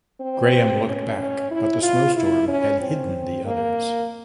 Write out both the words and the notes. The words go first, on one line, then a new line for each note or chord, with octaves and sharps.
Graham looked back, but the snowstorm had hidden the others.
C4
C#4
C#4
E4
F4
E4
C#4
C4
A#3